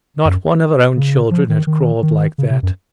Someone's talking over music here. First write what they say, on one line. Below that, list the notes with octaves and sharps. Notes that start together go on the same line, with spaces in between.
Not one of her own children had crawled like that.
F#2
C#3
F3
D#3
D#3
D#3
C#3
C3
F#2